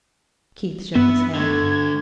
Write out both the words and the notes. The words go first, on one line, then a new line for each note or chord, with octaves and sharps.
Keith shook his head.
G2 B3 E5
D3 A3 G#6